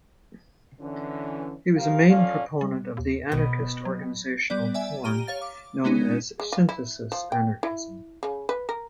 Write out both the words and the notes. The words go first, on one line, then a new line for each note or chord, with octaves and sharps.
He was a main proponent of the anarchist organizational form known as synthesis anarchism.
D3 E3 C#4
F3 G4 A#4 F5
C#4 F4 A4 D5 F5
G3
D#2
B1 B2
D1
F#3
G3 B3 D5
D5 E5 G#5
G4 A#5 F6 D#7
C#5 F5 A6
D6
G#3 B3 C#4 D#4
G#3
F4
E4
F3
G5
E4
C#3
B4
A#4